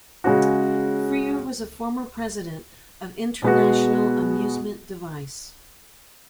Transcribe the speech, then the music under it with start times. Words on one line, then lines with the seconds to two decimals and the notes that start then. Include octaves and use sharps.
Feerer was a former president of International Amusement Device.
0.24 C#3 G#3 C#4 F#4
3.42 B2 G#3 B3 F#4